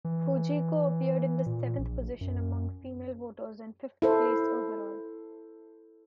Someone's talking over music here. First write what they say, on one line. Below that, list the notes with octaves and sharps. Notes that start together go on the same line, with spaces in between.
Fujiko appeared in the seventh position among female voters, and fifth place overall.
E3
A#2
A#1
F#2
E4 A4 C5